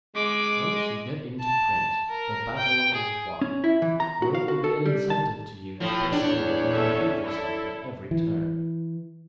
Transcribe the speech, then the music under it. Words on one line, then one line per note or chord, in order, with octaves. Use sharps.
Once you get into print the battle is won, for it will be an incentive to you to persevere and improve yourself at every turn.
G#3 D6
A5
A#4
G5
G#4
C#4
E4
E3
A#5
F#4
F5
F#4
A4
G3
A5
A2 F3 C#5
E2 D4
C#4 A4 E5
E4 A4
E3